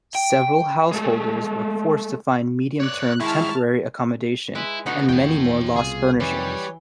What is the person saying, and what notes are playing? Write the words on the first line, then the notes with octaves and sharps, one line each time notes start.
Several householders were forced to find medium-term temporary accommodation, and many more lost furnishings.
G5
G#3 A3
C#5 D5 F#6
D#3 G#3 E4 A5 C#6 F6
G#3 E4 B4
B2 D3 B3 D#4 F#4
E2 A2 D#3 C#5 G5
C2 B2 F4 G#4
F2 C3 D#3 E3 G3 G4 B4 C#5